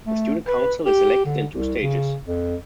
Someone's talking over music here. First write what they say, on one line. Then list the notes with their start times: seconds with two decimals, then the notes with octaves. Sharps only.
The Student Council is elected in two stages.
0.07 A3
0.47 B4
0.86 G4
1.25 D3
1.51 C2
1.82 C#3
2.27 F2